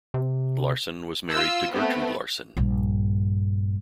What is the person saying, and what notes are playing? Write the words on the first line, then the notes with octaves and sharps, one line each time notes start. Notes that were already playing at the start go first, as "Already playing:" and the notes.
Larson was married to Gertrude Larson.
C3
F4 E6
A3 B3 C4
A#1 G2